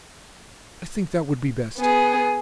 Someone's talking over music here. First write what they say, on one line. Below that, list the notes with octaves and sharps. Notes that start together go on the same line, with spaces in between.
I think that would be best.
B3 G#4